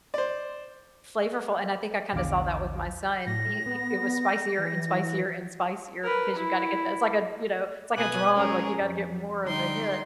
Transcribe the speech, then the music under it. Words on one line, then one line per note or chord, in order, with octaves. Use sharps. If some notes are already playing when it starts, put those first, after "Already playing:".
flavorful and I think I kinda saw that with my son, he he it was spicier and spicier and spicier because you gotta get that it's like a, you know, it's like a drug, like you gotta get more of a hit,
C5 D5
A#1 E2 D3 F5 D6
A2 A#6
B3
E3
A#4 B4
E4
B2 B4 G#5 D#6 F#6
G#3 C#4 G#4 A#4
F2
D3 G3 D#4 G5 C6